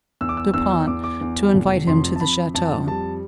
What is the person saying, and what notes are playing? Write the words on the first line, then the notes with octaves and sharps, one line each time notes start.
Du Pont to invite him to the chateau.
E2 E6
D6
E6
E2 E6
E6
E2 D6
D6
E2
F1
F2 C6
A5
F2 B5
F2 A5
G3 A5